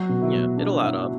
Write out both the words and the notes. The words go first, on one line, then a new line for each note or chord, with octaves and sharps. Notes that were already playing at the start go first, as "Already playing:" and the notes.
Yeah, it'll add up.
Already playing: F#3 F#4
B2
E4
B2
B2 D4
B2 E4